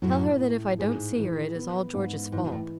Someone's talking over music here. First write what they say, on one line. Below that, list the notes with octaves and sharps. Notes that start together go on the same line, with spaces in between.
Tell her that if I don't see her it is all George's fault.
F#2 A2 F#3
A2
G#2 G#4
E3
B3
G#2
G#2 E3
B2
A2